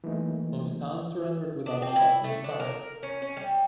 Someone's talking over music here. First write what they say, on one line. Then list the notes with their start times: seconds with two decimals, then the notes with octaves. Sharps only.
Most towns surrendered without a shot being fired.
0.04 E3 F#3 A3 A#3 D#4
1.66 D4
1.82 C4
1.96 E4
2.24 A3
2.44 D4
2.60 A#4
3.03 C#4
3.22 C#4
3.37 G3